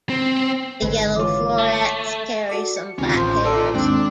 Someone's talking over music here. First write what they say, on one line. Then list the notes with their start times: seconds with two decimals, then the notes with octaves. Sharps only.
The yellow florets carry some black hairs.
0.10 C4
0.82 G#1 D3 G#3 B4
1.16 E3 F4 C#5 D6
1.58 A3
2.49 F#4 A4 D5
2.76 C#7
2.99 D2 C3 D#3 C#4 F4
3.15 A1 C5
3.45 F4 A4 D5
3.74 D#2 G#2 C4 D4